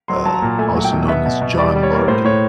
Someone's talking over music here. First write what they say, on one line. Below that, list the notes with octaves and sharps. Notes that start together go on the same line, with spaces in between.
uh, also known as John Larkin.
F#3 C6
F#3 A5
A#5
A#2
A3 G#5
F#3
G5
B2
B3 E5
B2
B2
G3 D5
G3
C#5
A#3
A2 C5
A2 C#5